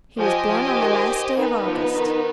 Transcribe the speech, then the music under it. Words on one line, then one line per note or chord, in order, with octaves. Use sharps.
"He was born on the last day of August."
F3 G4 C5 D#5 G#5
F3
D#3
D#3 B3 D#4 B4
F3
D#3